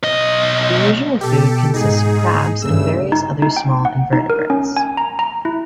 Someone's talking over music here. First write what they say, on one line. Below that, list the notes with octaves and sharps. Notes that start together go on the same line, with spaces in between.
The usual food consists of crabs and various other small invertebrates.
B1 D#5
B2 G4 A4
G#2 D#4 G#4
G2 C#3 A3 E6
D#4
D#4
G5
F#5
D#4
A#4
C#4
G#5
A#5
A#5
E4